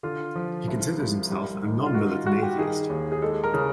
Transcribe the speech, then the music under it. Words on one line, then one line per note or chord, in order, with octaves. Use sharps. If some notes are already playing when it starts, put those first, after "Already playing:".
He considers himself a "non-militant atheist".
D3 F4
F3
C2
C2
G3
D#3
F4
D#3 F#4
F4
G2 F#4
G4
D#3 G#4
D#2
G#4
G#3 A4
A#4
C#3